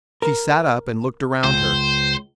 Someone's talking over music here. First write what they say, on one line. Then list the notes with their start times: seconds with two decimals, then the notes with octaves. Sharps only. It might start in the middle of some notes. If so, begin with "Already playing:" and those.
She sat up and looked around her.
0.22 A#4
1.44 C#2 C5